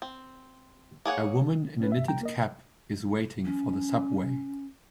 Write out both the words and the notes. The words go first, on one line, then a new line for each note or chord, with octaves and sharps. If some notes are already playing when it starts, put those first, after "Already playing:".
A woman in a knitted cap is waiting for the subway.
C4
A#3 G#4 C#5 F#5
C#4 B4
G2 E5
G3 G5 A#5
A#3 A#4 D#5
C#4